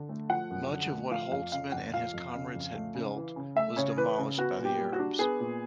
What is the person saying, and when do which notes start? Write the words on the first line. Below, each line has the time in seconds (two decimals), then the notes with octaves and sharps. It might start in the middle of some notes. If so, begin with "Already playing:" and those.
Much of what Holtzman and his comrades had built was demolished by the Arabs.
Already playing: D3
0.09 A3
0.30 F3 F#5
0.50 F#2
0.71 D3
0.91 A3
1.11 F3 F5
1.31 F2 F5
1.52 C#3 F5
1.72 F2 F#5
1.94 F3 F5
2.14 F2
2.34 C#3
2.55 F2
2.75 A3
2.95 C#3
3.16 E3
3.36 C#3
3.56 A3 E5
3.76 C#3 C#5
3.97 E3 B4
4.18 C#3
4.38 B3 F#4
4.58 A#2
4.65 G4
4.79 G3
4.93 F#4
4.99 D4
5.19 B3 G#4
5.40 A#2